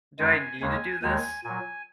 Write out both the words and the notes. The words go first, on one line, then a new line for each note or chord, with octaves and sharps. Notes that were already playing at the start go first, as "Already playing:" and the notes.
do I need to do this?
F#2 D#3 G#3 G#5
D#2 C#3 G#3 G#5
D#2 D#3 G#3 G#5
A#2 F#3 G#5